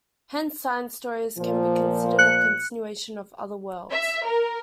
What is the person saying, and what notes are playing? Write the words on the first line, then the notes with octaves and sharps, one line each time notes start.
Hence "Science Stories" can be considered a continuation of "Other Worlds".
A#2 F3
F#6 C#7
E5
A#4